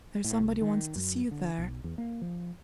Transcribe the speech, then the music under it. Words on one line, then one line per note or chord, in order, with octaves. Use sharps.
There's somebody wants to see you there.
A2
C2
D#3
F#2
D3
B1
E2
A#3
F3